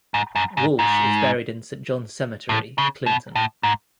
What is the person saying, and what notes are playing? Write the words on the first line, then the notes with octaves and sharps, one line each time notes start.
Walsh is buried in Saint John's Cemetery, Clinton.
G#2
F#2
G#2
G#2
A2
C#3
B2
A2
G#2